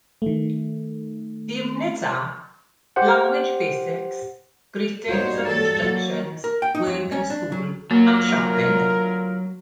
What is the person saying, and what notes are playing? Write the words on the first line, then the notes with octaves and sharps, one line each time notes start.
The units are: Language Basics, Greetings and Introductions, Work and School, and Shopping.
D#3 A3
G4 C5 F#5
G3 D#4 F#4 C5 C#5
E3 A4
F#3 A#3 F#4
A#4
G5
D#4
F2
C#4
D4
F#3
D2 F#3 A#3 F4 A#4